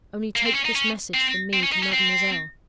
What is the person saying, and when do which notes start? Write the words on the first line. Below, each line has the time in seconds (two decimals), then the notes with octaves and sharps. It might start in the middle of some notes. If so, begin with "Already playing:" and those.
Only take this message from me to mademoiselle.
0.36 A#3
0.46 C4
0.55 C#4
0.65 D#4
0.75 C#4
1.14 C4
1.53 C4
1.63 C#4
1.72 D#4
1.83 C#4
1.93 C4